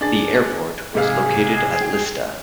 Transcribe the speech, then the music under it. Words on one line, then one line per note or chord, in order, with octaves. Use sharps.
The airport was located at Lista.
D4 G#4 A6
G#2 C3 G#4 F5
G5